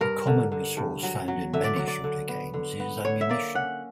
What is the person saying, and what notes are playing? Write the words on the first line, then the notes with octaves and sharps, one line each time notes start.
A common resource found in many shooter games is ammunition.
G2 A#4
D3
D3
G2
F#3
F#3
D3 E5
D5
F#3 C#5
D5
D3
B3
D3
B3
D3 C#5
E5
A#3 D5
C#4 F#5